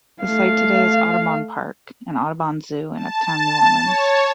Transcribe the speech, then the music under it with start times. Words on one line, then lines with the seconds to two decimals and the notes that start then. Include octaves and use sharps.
The site today is Audubon Park and Audubon Zoo in uptown New Orleans.
0.22 A3 F5
2.96 A5
3.84 C#5